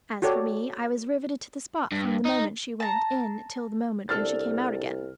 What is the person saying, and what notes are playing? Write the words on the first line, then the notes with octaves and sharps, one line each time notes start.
As for me, I was rivetted to the spot from the moment she went in till the moment when she came out again.
F#4 G4 A4 C#5 D5
G2
D#4
A5 A#5
C2 D4 A4 F6 A6